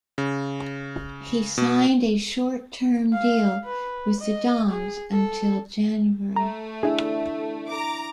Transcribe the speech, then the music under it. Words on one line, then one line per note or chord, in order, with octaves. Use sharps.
He signed a short-term deal with the Dons until January.
C#3
B2
F5
B4
D#5
G#4
A4
A3 A#5
D4 E4 G#4 E5
A#5 D6